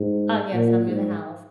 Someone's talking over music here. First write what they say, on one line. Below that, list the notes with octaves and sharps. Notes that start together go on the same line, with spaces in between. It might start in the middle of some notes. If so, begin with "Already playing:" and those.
Uh, yes, I'm in a house.
Already playing: G#2
A#2
G#2